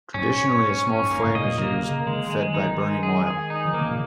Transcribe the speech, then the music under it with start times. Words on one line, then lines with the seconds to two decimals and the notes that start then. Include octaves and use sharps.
Traditionally a small flame is used, fed by burning oil.
0.14 G#2 C#4
0.38 C#5
0.63 C#4
0.87 C#4
1.11 G#2 A#3
1.23 C#3
1.34 A#2 D#5
1.58 C#3 A#3
1.74 C#3
1.83 A#3
1.91 C#3
2.07 D#3 G#3
2.30 G#3
2.54 D#3 D#4
2.79 G#3
3.03 G#4
3.27 G#4
3.50 D#4
3.65 F3
3.73 D#3 A#3
3.81 C#3
3.91 A#2